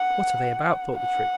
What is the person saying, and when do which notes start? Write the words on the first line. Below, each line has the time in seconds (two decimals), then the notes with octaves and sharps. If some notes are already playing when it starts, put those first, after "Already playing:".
"What are they about?" thought the Tree.
Already playing: F#5
0.97 F#5